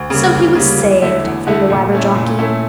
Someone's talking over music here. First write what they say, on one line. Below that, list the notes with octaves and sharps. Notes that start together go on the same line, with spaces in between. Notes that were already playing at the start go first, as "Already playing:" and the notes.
So he was saved from the Wabberjocky.
Already playing: D2
C#3 G3 A#3
D2
C#3 G3 A#3
E2
D3 A3 E4
E2
D3 A3 E4
A#2
A3 C#4 E4
A#2
A3 C#4 E4